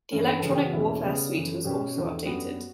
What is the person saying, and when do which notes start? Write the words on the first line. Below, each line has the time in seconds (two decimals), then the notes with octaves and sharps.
The electronic warfare suite was also updated.
0.12 G2 E3 A3 C#4
0.27 B4
0.40 C#3 E3 B3 A4
0.51 G4
0.62 F#4
0.72 E2 B2 G3 C#4 E4
1.03 C#3 G3 B3
1.35 F#2 E3 A3
1.64 B2 G3 C#4 G4
1.96 E2 D3 A3
2.26 F#2 D3 G3 B3 F#4